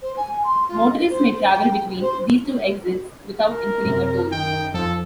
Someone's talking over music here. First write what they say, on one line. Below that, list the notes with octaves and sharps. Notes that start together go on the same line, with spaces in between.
Motorists may travel between these two exits without incurring a toll.
C5
G#5
C6
F4
D#5
C5
G5
C5
A#4
F#2 C3
D#3 D#4 G5
F2 F3 A4